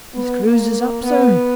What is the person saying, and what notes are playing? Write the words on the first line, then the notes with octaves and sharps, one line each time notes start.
His cruise is up soon!
B3
A#3
B3